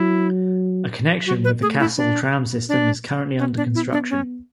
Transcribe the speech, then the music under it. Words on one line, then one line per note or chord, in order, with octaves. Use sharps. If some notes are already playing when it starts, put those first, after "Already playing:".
A connection with the Kassel tram system is currently under construction.
Already playing: F#3 E4
F#3 F#4
B4
A3 G#4
E4
D4
D4
B3 C#4
D4
E4
D4
C#4